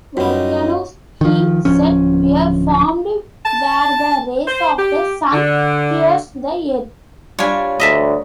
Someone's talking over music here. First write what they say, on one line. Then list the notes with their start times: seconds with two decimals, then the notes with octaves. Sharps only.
Volcanoes, he said, were formed where the rays of the sun pierced the earth.
0.17 F#2 G3 D#4 F4 F#4 C#5
1.21 D#3 F3
1.65 D1 F3 C#4
3.46 A5
4.47 C5
4.78 G4
5.33 D3
7.39 G3 D4 F4 C#5 G#5
7.80 D2 D#5 E5 A5